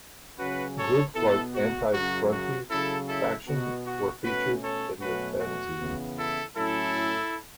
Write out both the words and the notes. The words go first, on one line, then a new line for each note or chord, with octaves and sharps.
Groups like Anti-Scrunti Faction were featured in the fanzine.
C#3 F#3 C#4 F#4 B4
A4 C#5
B2 B3 E4 A4
F#4
F#2 C#3 F#3 F#4
F#4
C#3 F#3 C#4 E4 A4
E4 A4
B2 B3 F#4
F#4
B2 A3 C#4 F#4 B4
A4 C#5
B2 F#3 A3 C#4 F#4 B4
F#4
C#3 E3 B3
E4 A4
A2 F#3 C#4 E4 A4